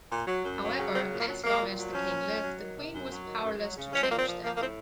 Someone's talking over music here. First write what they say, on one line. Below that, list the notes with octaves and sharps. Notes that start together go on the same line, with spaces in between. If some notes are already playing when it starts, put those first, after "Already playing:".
However, as long as the king lived, the Queen was powerless to change that.
A#2
F#3
F#2
F#3
C#3
F#3 C4
A#2
A#3
F#3
F#3 A#3
A#2
F#3
F3 C#4
A#2
F3
F#3
D#3
C3
F#2
F#3
D#3
F#2
F#3
C#3
F3 C#4
C4
A#2 A#3
C4
F3
F3 A#3
A#3
A2 C4